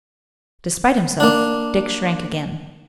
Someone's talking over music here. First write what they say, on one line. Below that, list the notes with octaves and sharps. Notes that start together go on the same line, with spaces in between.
Despite himself Dick shrank again.
A#3 D4